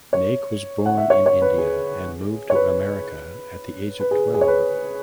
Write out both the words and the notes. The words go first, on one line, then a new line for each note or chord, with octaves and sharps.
Naik was born in India and moved to America at the age of twelve.
C#5
F#5
E5
C#5
C#5
B4
G#4
C#5
B4
B4
G#4
G#4
C#5
B4